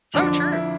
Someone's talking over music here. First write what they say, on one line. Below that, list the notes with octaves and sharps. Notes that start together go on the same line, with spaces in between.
So true.
F2 D3 F3 D4
E4